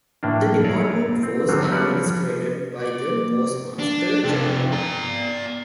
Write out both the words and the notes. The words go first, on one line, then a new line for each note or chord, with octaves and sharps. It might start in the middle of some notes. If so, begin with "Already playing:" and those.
The Department was administered by the Postmaster-General.
A2 A#3 D4
E4 G#4 A#4 C#5 D5
C4
D3 D#3 F#3 G3 C4
F3 G3 B3 C#4 F#4 D5
D5
A#3
D4
F2 C3
D5 A#5